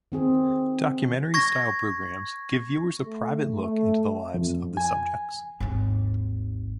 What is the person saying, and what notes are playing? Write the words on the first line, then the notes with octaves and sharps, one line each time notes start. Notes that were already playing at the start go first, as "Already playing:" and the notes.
Documentary-style programs give viewers a private look into the lives of the subjects.
D#3 C4 G#4
C#6 G#6 A#6
A3
A3
F2
G#5
G#1 D#2